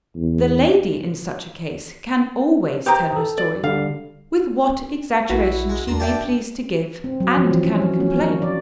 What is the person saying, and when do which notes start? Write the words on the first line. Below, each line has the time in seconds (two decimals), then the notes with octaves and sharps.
The lady in such a case can always tell her story, with what exaggeration she may please to give, and can complain.
0.16 E2
2.86 G4 B4 C5 G5 A#5 D#6
3.16 A4
3.38 D5
3.64 D3 G3 F5
5.30 A#1 E4 F#4 B4
5.70 G#3
5.88 E2 D4 A#5 C6
6.00 E4 D5 G5
7.04 C4
7.20 F#3
7.37 F3
7.51 E3
7.64 C#4
7.82 F#3
8.00 C#4
8.20 A#3
8.42 D5